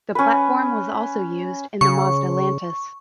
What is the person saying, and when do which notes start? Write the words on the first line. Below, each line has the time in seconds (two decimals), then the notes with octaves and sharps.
The platform was also used in the Mazda Lantis.
0.15 C#4 B4
1.81 C#3 C#6